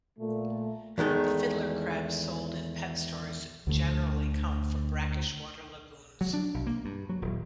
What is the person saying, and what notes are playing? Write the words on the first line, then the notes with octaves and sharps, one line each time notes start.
The fiddler crabs sold in pet stores generally come from brackish water lagoons.
A#2 A3
E2 D#3 G#3 A3
D2 D3 G3 A3
F#3
D4
B1
A#3
G2
F#3
D#1